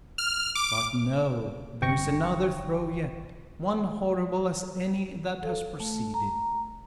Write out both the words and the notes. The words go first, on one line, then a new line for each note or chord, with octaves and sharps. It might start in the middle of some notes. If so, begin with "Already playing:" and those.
But no; there is another throe yet, one horrible as any that has preceded.
F6
D6
G1 G5 C#6 A#6 C#7
A4 F5
A3
A#5